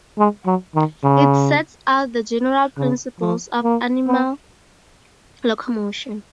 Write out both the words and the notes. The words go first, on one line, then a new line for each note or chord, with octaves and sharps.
It sets out the general principles of animal locomotion.
G#3
F#3
D#3
C#3
C#3
F3
A#3
B3